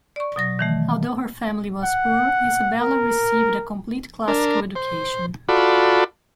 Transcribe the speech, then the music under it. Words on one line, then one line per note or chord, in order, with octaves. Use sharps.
Although her family was poor, Isabella received a complete classical education.
D5 C#6
B2 F#3 A#6
D#3 E3 A3
F#5
A#4
D4 A#4
C5
F4 F#4 A4 D5 B5